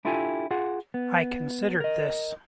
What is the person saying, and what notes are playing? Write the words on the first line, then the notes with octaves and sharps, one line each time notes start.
I considered this.
D4 E4 F4 G4 A4 G#5
F4 G#4 F#5
B3
A#4 D#5